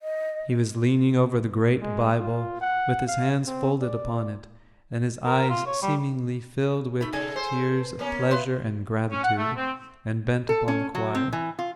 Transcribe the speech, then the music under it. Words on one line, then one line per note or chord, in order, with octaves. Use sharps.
He was leaning over the great Bible, with his hands folded upon it, and his eyes seemingly filled with tears of pleasure and gratitude, and bent upon the choir.
D#5
G#3
F4
F#5
F5
C4
D5
A#4
F4
C#5
G3
A3 D#4 B5
C#3 G#4 A4 G#5
C5
B4
A#3 B3 C#4
B3 B4 E5 F5 C6
C#4
F#5
A3
C4
A4
C#4
F#3
C4
E3
F4